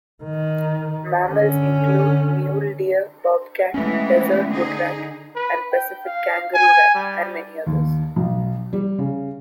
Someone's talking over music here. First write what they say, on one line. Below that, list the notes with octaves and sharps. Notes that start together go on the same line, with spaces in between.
Mammals include mule deer, bobcat, desert woodrat, and Pacific kangaroo rat, and many others.
D#3
D3 C#4
E3 G#3 A3 B3 C#4
D3 D#4 G#4
B4
G5
F5
G#5
G3
D#2
B1
G3
C#3